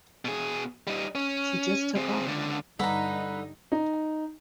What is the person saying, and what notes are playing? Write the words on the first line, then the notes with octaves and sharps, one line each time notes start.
She just took off.
B2 G#4
G3 D#4
C#4
C4 G#4
C#2 D3
G2 D3 G3 D#4 B4 A#5
D#4